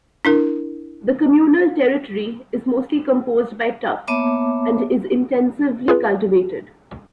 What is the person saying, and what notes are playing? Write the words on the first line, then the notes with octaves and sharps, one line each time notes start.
The communal territory is mostly composed by tuff, and is intensively cultivated.
D4 E4 A#4
A#3 B3 C#5 E5 A5 D6
F4 G#4 B4